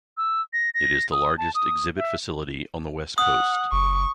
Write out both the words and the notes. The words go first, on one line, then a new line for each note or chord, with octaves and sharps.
It is the largest exhibit facility on the West Coast.
E6
A#6
A#6
D#6
A5
D#6
E5
F#5 D#6
F#1 C#6